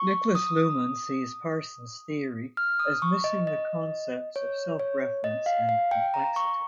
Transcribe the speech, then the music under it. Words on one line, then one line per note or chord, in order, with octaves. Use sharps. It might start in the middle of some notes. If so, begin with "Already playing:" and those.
Niklas Luhmann sees Parsons' theory as missing the concepts of self-reference and complexity.
Already playing: C#6
D#6
F6
D#6
C#6
D#5
D#5
C#5
C#5
D#5
F5
F5
G5
A#5
C#6